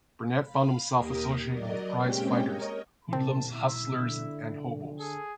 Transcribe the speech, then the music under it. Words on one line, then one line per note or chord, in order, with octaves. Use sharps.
Burnett found himself associating with prize fighters, hoodlums, hustlers and hobos.
F5 B5
D#2 A#3 G4 A#4 D#6
F#3 A#4 D5 D#5
G#3 A#3 C4 C#4 G4 G5
A#4 C#5 D#5
C2 C4 A5
E4 E5
D3
G#4 A4